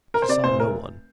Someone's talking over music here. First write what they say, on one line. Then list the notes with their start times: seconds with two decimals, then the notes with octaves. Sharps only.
He saw no one.
0.14 A#4
0.22 C5
0.29 C3 D5
0.44 F1 C5
0.60 A#4